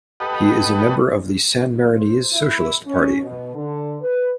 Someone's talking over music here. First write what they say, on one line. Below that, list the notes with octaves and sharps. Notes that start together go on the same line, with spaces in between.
He is a member of the San Marinese Socialist Party.
G4 A4 B4 D#5 F#5
C5
E4
C#4
B2
D3
B4